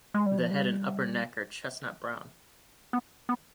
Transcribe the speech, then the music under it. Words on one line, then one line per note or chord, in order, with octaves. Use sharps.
The head and upper neck are chestnut brown.
G#3
G3
F3
G3
B3
B3